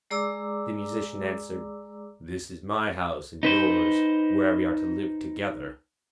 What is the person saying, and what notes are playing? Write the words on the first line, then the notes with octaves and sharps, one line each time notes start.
The Musician answered: 'This is my house, and yours; where we are to live together.'
G#3 G#4 D5 A#5 D6 E6
D#4 B4 C5